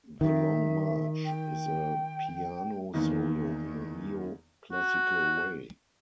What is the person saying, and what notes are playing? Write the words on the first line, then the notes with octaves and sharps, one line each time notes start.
"The Long March" is a piano solo in a neo-classical way.
D#3 E5
G5
E2 D#3 A#3 B3
F#4